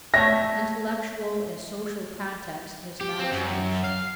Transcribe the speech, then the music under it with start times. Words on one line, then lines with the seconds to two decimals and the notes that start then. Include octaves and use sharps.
The intellectual and social context has now changed.
0.14 A3 C#5 E5 A#6
3.01 G4
3.19 C4
3.31 F#2
3.84 F5